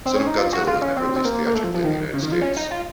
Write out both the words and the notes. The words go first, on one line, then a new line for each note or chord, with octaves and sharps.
"Son of Godzilla" was never released theatrically in the United States.
C4
C#4
D#4
F4
F#4
F4
C#4
C4
C4
A#3
A#3
A3
F3
F3
D#3
C#3
D#3
F3
C#4
D#4
F4